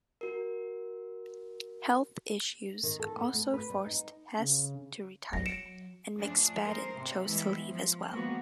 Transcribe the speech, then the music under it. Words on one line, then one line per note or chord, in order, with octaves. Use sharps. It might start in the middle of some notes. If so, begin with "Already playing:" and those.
Health issues also forced Hess to retire and McSpadden chose to leave as well.
F#4 A#4
D#3
A4
B3
A3
B4
G3
D#4
C#3
F#3 A#6
C#7 D7 E7
F3 A3 D4 G#4
G#4 A#4 C5
C3
E3 G3 G#3 B3 E4
F3
D#3 F3 G#3 A#3 B3 F#4